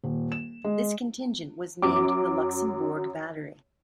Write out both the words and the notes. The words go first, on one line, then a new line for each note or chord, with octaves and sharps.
This contingent was named the Luxembourg Battery.
D#1
E7
G#3
F#2 D6